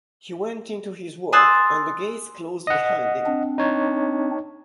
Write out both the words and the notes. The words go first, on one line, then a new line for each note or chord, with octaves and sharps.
He went into his work and the gates closed behind him.
G#5 C6 D#6 E6 F#6 A6
D#5 F#5
C4 D4
D#4 C#5